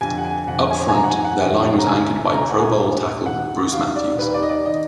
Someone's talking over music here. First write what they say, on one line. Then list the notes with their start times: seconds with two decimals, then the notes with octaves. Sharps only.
Up front, their line was anchored by Pro Bowl tackle Bruce Matthews.
0.01 F2 D3 G#5
0.18 F#5
0.24 G#5
0.47 F2 D3 F#5
0.70 G#5
0.88 G#5
0.94 F2 D#3 A#5
1.04 F#5
1.10 G#5
1.24 F#5
1.40 F2 D#3
1.78 A#5
1.86 D2 D3 G#5
2.33 D2 D3 A#5
2.41 G#5
2.50 F#5
2.59 G#5
2.80 D#2 D#3
3.26 D#2 D#3 F#5
3.72 D#2 D#3 F5
3.96 D5
4.19 D#2 D#3 B4
4.34 D5
4.42 D#5
4.49 D5
4.65 D#3 D#5